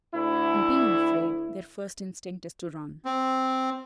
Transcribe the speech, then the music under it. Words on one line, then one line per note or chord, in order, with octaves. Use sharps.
And being afraid, their first instinct is to--run.
D2 E4
C4